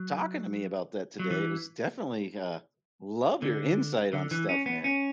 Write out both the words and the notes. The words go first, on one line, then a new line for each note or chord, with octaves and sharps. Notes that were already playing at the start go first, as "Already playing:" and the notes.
talking to me about that today, it was definitely, uh, love your insight on stuff, man.
Already playing: F#3
F#3
E3
D3
D3
E3
C#4
B3
C#4